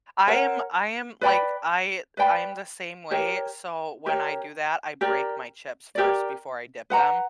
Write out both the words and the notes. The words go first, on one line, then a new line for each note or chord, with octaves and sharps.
I am I am, like, I I'm the same way, so, when I do that, I break my chips first before I dip them.
A#4 C#5 F#5
B4 D5 G5 B5
B4 D5 G5 B5
G4 A#4 C#5 G5
G4 A#4 C#5 G5
G4 A#4 D5
G4 A#4 D5
B4 F#5 A#5